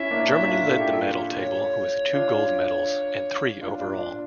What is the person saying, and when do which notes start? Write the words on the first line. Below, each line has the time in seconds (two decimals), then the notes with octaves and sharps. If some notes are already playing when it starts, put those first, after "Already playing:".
Germany led the medal table with two gold medals, and three overall.
Already playing: C#4 E4 E5
0.11 A#3 D4
0.21 D4
0.29 C#4 E4
0.47 D4 F4
0.66 A4
0.80 G4
0.93 F4 A4
1.40 C#5
2.14 D4 F4
3.61 D4 F4
3.79 D4 F4
3.98 D4 F4